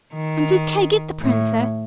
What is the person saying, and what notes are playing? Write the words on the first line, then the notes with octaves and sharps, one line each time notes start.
"And did Kay get the Princess?"
D#3
A2